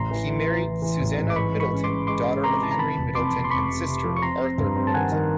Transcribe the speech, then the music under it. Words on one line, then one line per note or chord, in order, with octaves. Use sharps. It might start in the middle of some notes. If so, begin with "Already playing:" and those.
He married Susannah Middleton, daughter of Henry Middleton and sister of Arthur Middleton.
Already playing: A1 A#5 C6
E3
E3
E3
E3
E3
A1
G#2
D6
E3 B5 C#6
G#3
B5 C#6
C#4
C6 D6
C#4
G#3 C6 D6
C#4
C3 A#5 C6
E3 A5
A#5
C3 A5 B5
F1
F2 C6 D6
C3
C6
F2 B5 C#6
C3
C3
F3
C#6
C4 A#5 C6
C4
G2
C4
A5
D#3 F#5 G#5
D#3